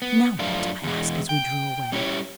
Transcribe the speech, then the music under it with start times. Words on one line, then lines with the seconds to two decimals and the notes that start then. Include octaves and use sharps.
"Now what?" I asked, as we drew away.
0.02 B3
0.39 F#2 F3 A3 D4 F4
0.83 E2 G#3
1.29 G5
1.92 G3 C#4 E4 G4 C#5